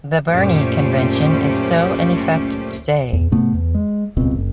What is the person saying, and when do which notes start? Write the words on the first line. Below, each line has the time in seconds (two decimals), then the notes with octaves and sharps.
The Berne Convention is still in effect today.
0.28 F#2 A#2 A3 C#4 G4 C5
3.13 E2
3.32 G#2 C3 A3 B3
3.54 E2
3.75 G#3
4.17 D#1 C#2 B2 C4
4.35 F#1